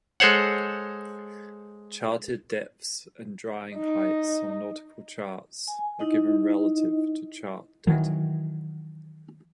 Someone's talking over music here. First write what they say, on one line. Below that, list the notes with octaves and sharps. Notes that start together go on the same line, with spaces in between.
Charted depths and drying heights on nautical charts are given relative to chart datum.
G#3 A4 C5 C#5 F#5
D#4
G#5
D#4 E4 D#5
D#3 E3 F#3